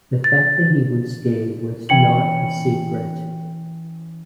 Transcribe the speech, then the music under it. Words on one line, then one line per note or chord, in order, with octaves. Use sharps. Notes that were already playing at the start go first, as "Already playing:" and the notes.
The fact that he was gay was not a secret.
A6
E3 C#4 G5 C#7 F#7